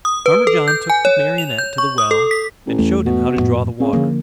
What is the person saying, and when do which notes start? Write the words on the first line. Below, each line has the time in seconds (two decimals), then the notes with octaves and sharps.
Farmer John took the Marionette to the well and showed him how to draw the water.
0.05 D#6
0.26 B4
0.47 A4
0.68 G6
0.90 G#5
1.05 C#5
1.38 F7
1.58 G6
1.78 C#6
1.98 D#6
2.11 A4
2.31 B6
2.66 A1
2.79 E2 A3
3.06 B2
3.37 A1 F2 A2
3.80 C#3 C4
3.93 D3 F3 A#3